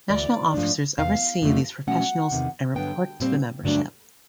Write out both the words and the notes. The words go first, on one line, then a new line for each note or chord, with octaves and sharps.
National officers oversee these professionals and report to the membership.
D2 C#3 E3 D5
G#2 F3 A3 D4
E2 C3 F5
F2 D3 F3 A3
B2 F#3 A3 C#4 F#5
E2 C3 D#3
G2 D3 F#3 B3 G5
A#2 G3 C4
G2 D3 F#3 A3 D4